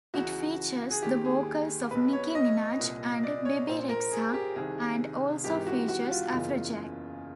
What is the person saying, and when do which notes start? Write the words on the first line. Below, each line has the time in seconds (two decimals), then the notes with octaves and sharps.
It features the vocals of Nicki Minaj and Bebe Rexha, and also features Afrojack.
0.14 C#2 C#3 E3 F#4
0.91 G#4
1.02 D#2 D#3 G4
1.25 G#4
1.91 B1 B2 B4
2.13 C#5
2.35 D#5
2.79 C2 A#2
3.23 D5
3.45 C#5
3.67 A#1 A#2 C5
3.89 A#4
4.12 G#4
4.34 G4
4.56 C2 C3 D#3 G#4
5.44 G#1 G#2 E3 G4
5.67 F#4
5.88 F#4
6.11 F4
6.33 F#1 E2 C#3 E3